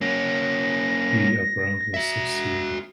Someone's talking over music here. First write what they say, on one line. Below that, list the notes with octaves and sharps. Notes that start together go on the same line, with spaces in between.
He apparently succeeded.
A#3 C#4 A#6
F#4 E5